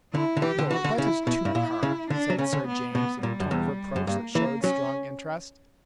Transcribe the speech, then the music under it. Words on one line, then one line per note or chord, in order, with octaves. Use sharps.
"No, that is too hard," said Sir James, in a tone of reproach that showed strong interest.
D3 E4
D3
E3 G4
D3
E3 F#4
D3
C#3 E4
B2 E4
G2
A#2
C#3
D3 D4
F#3
C#3 C#4
D3
B3
B2 B3
A#2 G3
F#2
E2
F#2
G2 A#3
E3 A#3
F#3 C#4